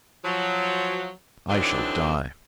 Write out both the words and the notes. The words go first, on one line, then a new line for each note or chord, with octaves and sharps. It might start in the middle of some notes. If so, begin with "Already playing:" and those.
I shall die!
F3 F#3
D3 E3 F#3 C4 D4 D#4